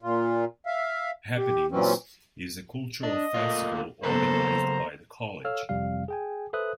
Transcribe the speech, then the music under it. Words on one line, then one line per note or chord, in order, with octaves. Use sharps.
Happenings is the cultural festival organized by the college.
A#2 F4
E5 F5
G4
A#2 E3 F#3 C4 C#4
D4 D#5
A3 A#3 F4
C#3 F#3 A#3 B3 A4 B4 C5 A#5
A4 C#5 F5 E6 F6
G1 F2 C3 G3 F5
G#4 G5 G#5
A4 B4 C5 E5 D#6 F#6